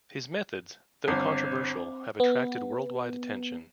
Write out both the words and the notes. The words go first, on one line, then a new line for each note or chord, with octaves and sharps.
His methods, though controversial, have attracted worldwide attention.
G1 C4 C5 D6
B3